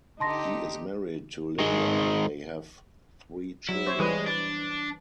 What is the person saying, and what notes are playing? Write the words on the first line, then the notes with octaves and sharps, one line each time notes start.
He is married to Lynda; they have three children.
D3 D#4 G4 A5 C6 A#6
D#3 G#3
F#3 E4
C5 C#5
E3 G3 G#3 B4
D4